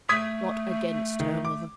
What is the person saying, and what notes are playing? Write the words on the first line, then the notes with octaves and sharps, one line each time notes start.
'Not against her, mother!
A3 D#6 G#6 B6
D#3
D6